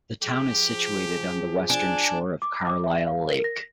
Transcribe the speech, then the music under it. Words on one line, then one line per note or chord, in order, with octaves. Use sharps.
The town is situated on the western shore of Carlyle Lake.
F3 G4 G#4
D4 G#5
D6
D6
E5
F5
A#4
A#6